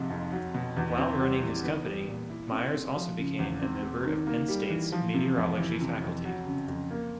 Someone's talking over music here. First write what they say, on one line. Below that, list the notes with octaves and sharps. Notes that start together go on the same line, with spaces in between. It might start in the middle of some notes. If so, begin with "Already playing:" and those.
While running his company, Myers also became a member of Penn State's meteorology faculty.
Already playing: G#2 C3 F3
F2
F#3
B2
E2
C4
G3
E3
B3
G3
A#2
E4
C4
G#3
F3
C#3
E2
C4
G#3
D#3
A#3
G3
E3
F3
C3
F2
E3
C3
F2
F#3
C#3
F2
A#3